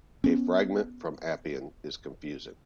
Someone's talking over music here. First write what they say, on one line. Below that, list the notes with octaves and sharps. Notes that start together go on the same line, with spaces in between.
A fragment from Appian is confusing.
B3 C#4